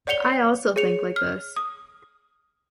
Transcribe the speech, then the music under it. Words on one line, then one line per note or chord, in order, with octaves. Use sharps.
I also think like this.
C#5 D5 F#5 C#7 F7 G7
G#4 C#5 C#7 F7
F6
D#6